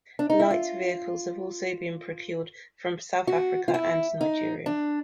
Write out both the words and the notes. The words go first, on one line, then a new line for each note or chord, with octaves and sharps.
Light vehicles have also been procured from South Africa and Nigeria.
D4
D#4
E4
F4
F#4
F4
E4
D#4
D4